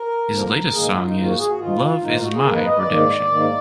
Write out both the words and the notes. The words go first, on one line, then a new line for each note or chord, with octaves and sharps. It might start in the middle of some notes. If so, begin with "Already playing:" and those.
His latest song is "Love is My Redemption".
Already playing: A#4
D3 F3 A#3
G#2 D#3 A#3 G#4
F4
F4
D#4
G#2 D#3 A#3 F4
F#4
G#4
F#4
G#2 D#3 A#3 F4
G#2 D#3 A#3 D#4
F4
F#4
G#4
G#2 D#3 A#3 A#4
B4
D#5
B4
D5
G#2 D#3 A#3
G#2 D#3 A#3